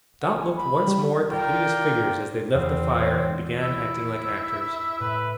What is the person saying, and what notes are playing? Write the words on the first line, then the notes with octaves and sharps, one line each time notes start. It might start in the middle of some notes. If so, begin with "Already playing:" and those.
Dot looked once more at the hideous figures as they left the fire and began acting like actors.
F#5
G#5
B5
G3
F4 A#4 D5 G5
E2 C4
B4 C#5 D#5
E4 E5
A2 B4